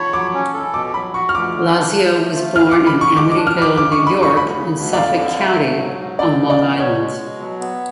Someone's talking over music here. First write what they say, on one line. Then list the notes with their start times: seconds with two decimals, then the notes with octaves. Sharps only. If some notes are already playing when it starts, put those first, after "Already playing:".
Lazio was born in Amityville, New York, in Suffolk County, on Long Island.
Already playing: C#5 A5 B5 C#6
0.13 F#3 D6
0.34 C#4
0.54 A4
0.74 B2 D6
0.94 F#3 B5
1.14 F#4 C#6
1.29 F6
1.35 D2 D6
1.55 D3
1.75 D4
1.95 F3
2.16 A3
2.36 F4
2.56 D3 F6
2.72 G#3 D6
2.87 B5
2.96 D3 C#6
3.16 G#3 D6
3.32 D4 D6
3.47 F6
3.57 B4 D6
3.76 C#3 D6
3.92 C#6
3.97 G#3
4.07 B5
4.17 C#3
4.23 C#6
4.37 D2 B5
4.57 C#3
4.78 D2
4.93 D5
4.98 F2 F5
5.18 D3
5.38 A3
5.59 G#2
5.79 F#3
5.99 G#2
6.18 D2 D5
6.39 C#3
6.50 D5
6.60 B3
6.79 B2 C#5
7.00 G#3
7.20 B2
7.41 F#3
7.60 B3